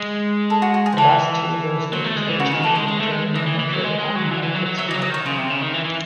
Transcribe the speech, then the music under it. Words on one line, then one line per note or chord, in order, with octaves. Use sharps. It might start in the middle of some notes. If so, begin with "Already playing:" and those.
The last two of those wins were achieved with German manager Ottmar Hitzfeld.
Already playing: G#3
A4
F#4
F#4
G#4
C5
E3 A4
F#3 C5
A3
G#3
E3
C#3 F#4
D#3 G#4
E3 A4
G#3 C5
G#3 C#5
A3
G#3
E3 D#5
E3
E3
F#3
G#3
G#3
F#3
E3
E3
F#3
F#3
F#3 E5
E3 D#5
F#3
D#5
D#3 C#5
C#3 C5
C3
C#3
D#3
E3
E3